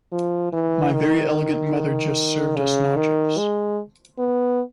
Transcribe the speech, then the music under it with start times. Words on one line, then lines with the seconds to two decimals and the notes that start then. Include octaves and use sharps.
My very elegant mother just served us nachos.
0.12 F3
0.53 E3
0.93 D#3
2.56 C#3
2.96 D#3
3.38 G#3
4.18 B3